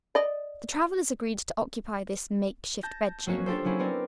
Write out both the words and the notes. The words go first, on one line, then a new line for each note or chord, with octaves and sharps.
The travelers agreed to occupy this makeshift bed-chamber.
D5 D#5
A5 G6 A#6
F#3 A#3 C#4 F#4
D4 F4 G4 A4 C5
F#3 A#3 C#4 E4
B3 C4 A#4 D5